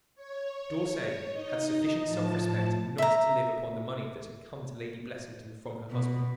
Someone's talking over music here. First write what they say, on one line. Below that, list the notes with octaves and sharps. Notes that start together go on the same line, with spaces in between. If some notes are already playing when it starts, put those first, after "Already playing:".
D'Orsay had sufficient self-respect not to live upon the money that had come to Lady Blessington from her husband.
C#5
D#4 D#5
A2 F3 A5
E5 A#5
B2